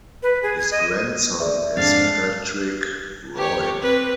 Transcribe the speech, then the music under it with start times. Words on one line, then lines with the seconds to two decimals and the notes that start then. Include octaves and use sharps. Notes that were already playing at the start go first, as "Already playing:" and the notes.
His grandson is Patrick Roy.
0.23 B4
0.43 G#4
0.58 G#6
0.71 D#5
1.40 G#4 D5 E5
1.77 F2 G#2 D4 F5 A6 C7
3.36 G4 C#5
3.81 C4 B4